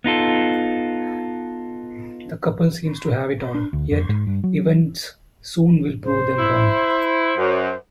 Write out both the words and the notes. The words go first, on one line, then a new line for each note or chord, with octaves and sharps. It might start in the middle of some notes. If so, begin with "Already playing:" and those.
The couple seems to have it all, yet events soon will prove them wrong.
B3 D#4 F4 A4
D4
D2
F2
G#2
G2
F#3
C5
E4
F#2